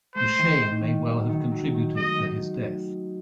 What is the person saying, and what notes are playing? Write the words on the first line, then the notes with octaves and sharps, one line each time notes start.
The shame may well have contributed to his death.
A3 C5
D#3
D#4
D#3
F#3
D#3
F#3
D#3
A3 D#5
D#4